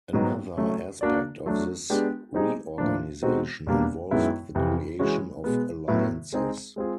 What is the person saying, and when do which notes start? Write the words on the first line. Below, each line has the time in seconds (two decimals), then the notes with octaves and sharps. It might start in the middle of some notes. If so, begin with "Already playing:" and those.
Another aspect of this reorganization involved the creation of alliances.
0.13 G#2 D#3 F#3 B3 D#4
0.57 F#3 A3 C#4
1.01 A#3 D4 F#4 A#4 D5
1.46 F#3 A3 D4
1.90 G#3 B3 D4 G4
2.34 G3 C4 D#4 G#4
2.78 A2 F3 A#3 D4
3.22 B2 G#3 C4 D#4 F#4
3.67 E2 B2 G3 A#3 D4
4.11 F#2 D#3 G#3 B3 E4
4.55 F2 C3 E3
4.99 E3 G#3 C#4 F#4
5.44 B2 G#3 B3
5.88 A2 F#3 B3 E4
6.32 G#3 C4 D#4 G#4
6.76 G#3 C4 F4 G#4